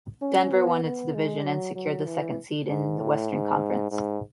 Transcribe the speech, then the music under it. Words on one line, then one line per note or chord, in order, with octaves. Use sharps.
Denver won its division and secured the second seed in the Western Conference.
C#4
B3
B3
G#3
F#3
F#3
E3
G#2
A2
G#2
G#2